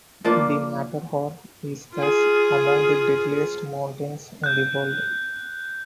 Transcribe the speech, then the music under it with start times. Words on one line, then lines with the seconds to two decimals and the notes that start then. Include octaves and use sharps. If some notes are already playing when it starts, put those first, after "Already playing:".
The Matterhorn is thus amongst the deadliest mountains in the world.
0.25 F3 A#3 D4
1.94 F4 G#4
4.44 F#6 G6